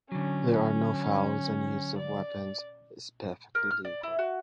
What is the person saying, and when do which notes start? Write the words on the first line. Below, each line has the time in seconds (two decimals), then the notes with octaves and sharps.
There are no fouls and use of weapons is perfectly legal.
0.12 D3 F#3 C#4
1.98 D5
3.55 A#4
3.71 F6
3.85 D5
4.03 E4
4.19 F#4